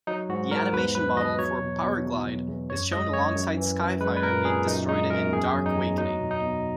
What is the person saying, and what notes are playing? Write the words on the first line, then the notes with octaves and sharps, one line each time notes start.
The animation model for Powerglide is shown alongside Skyfire being destroyed in "Dark Awakening".
F#3 D#4
G#2 F#4
G#2 A#4
E2 B4
F#3 B4
E2 D#5
F#3 C#5
B2
B2
E2
F#3
E2
F#2 C#5
G#3 D#5
F#2 C#5
F#2
E3
F#2
G#3 B4
B4
A#2 A#4
A#2 G#4
F#2 D#4
G#3 D#4
F#2 A#4
E2 G#4
F#3
D#4
E2
F#3 D#4
B2
D#4
B2